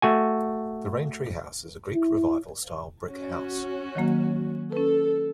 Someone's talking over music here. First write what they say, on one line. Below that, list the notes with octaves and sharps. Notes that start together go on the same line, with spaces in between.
The Raintree House is a Greek Revival style brick house.
A3 F#4 G#5
E4
C#4 F#4
D#3 F#3 A#3
C#4 A4 B4